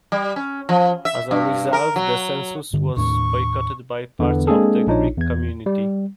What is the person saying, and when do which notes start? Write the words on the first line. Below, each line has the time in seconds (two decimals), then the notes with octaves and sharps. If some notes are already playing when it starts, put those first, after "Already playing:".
As a result, the census was boycotted by parts of the Greek community.
0.12 G3
0.36 C#4
0.69 F3
1.05 E5
1.31 G2
1.73 A#4
1.96 F#3
2.73 G2 D3
2.97 D#2 A2 D4 C#6
4.19 E2 D3 E3 B3
4.47 G#3 A#3 C4 D4 G#4 A4
4.87 A#1 D4 D#4 F4 C#5
5.17 E2 G#6
5.66 G3